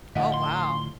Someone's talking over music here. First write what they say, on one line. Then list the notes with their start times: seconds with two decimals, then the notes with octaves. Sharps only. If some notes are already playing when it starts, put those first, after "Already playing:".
Oh, wow.
0.15 A2 D3 F3 D#5 F5 F#5
0.34 C6